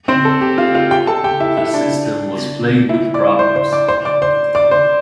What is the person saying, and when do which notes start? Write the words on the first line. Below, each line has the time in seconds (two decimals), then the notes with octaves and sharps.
The system was plagued with problems.
0.08 C4 C5
0.25 A4
0.41 G4
0.58 F4 F5
0.75 F4 F5
0.91 G4 G5
1.07 A4 A5
1.24 G4 G5
1.40 E4 E5
1.57 E4 E5
1.74 D4 D5
2.89 E4 E5
3.14 D5 D6
3.39 C5 C6
3.56 C5 C6
3.72 D5 D6
3.88 C5 C6
4.05 D5 D6
4.22 C5 C6
4.55 D5 D6
4.71 C5 C6